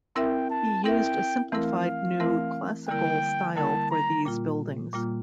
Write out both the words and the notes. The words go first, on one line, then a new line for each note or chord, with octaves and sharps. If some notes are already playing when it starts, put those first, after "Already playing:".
He used a simplified new-classical style for these buildings.
C4 E4 A#4 E5 G5
A5
C4 E4 A#4 E5 G5
E3 A3 C4 E4 A#4 F5
E3 A3 C4 E4 A#4
D3 G3 A#3 E4 A#4 G5
D3 G3 A#3 E4 A#4 A5
A#5
A#2 G3 A#3 F4
A#2 G3 A#3 F4